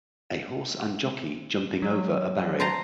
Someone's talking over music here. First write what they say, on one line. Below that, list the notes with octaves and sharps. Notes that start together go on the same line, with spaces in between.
A horse and jockey jumping over a barrier.
F#3
C5 A5 A#5